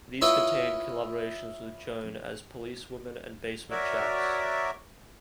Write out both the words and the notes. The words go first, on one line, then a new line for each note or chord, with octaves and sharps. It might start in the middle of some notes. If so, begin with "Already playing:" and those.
These contained collaborations with Joan As Police Woman and Basement Jaxx.
E4 F4 B4 C#5 D#5 E5
F#4 A#4 C#5 D5 E5